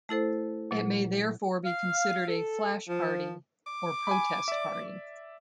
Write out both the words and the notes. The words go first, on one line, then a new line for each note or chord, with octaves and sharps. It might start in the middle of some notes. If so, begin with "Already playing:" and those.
It may therefore be considered a "flash party" or protest party.
A3 E4 A4 C5
A#2 F#3
F5
A4
F3
D6
G#5 B5
D5 E5